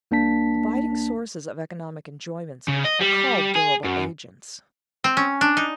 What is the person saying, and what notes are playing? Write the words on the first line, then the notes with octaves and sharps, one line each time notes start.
Abiding sources of economic enjoyments are called durable agents.
C2 A#3 D4 A5 B6
C#3
D#5
G3
G#4
F#2
C4
C#4
D4
D#4